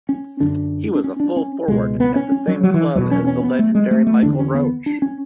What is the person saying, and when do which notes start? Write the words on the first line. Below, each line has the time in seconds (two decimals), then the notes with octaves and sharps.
He was a full-forward at the same club as the legendary Michael Roach.
0.09 C#4
0.40 F#2 D3 D4
0.95 D4
1.04 C#4
1.20 D4
1.36 C#4
1.68 C#2 B2 G#3
2.00 B3
2.16 C#4
2.32 C#4
2.47 F#3
2.63 F#3
2.74 E3
2.95 E2 B2 F#3
3.11 C#4
3.27 C#4
3.43 B3
3.59 A3
3.75 G#3
3.91 A3
4.07 A3
4.22 E2 D3 D4
4.39 C#4
4.54 B3
4.86 D4
5.02 C#4